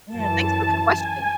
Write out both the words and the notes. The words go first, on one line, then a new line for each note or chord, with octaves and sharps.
Yeah. Thanks for the question.
F#2 E3 A5
G#5